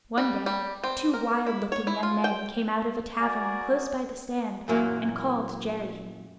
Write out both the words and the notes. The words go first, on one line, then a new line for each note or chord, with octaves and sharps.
One day two wild-looking young men came out of a tavern close by the stand, and called Jerry.
G3
G3
C4
A#4
E4
C#5
E4
F4
G5
F#4 G#4 A#4 D5 G#5
F#2 A#2 E3 F#3 A#3